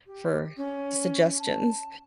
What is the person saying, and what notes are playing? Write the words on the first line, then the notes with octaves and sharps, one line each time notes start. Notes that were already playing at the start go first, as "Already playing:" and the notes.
for the suggestions.
G4
C#4
A5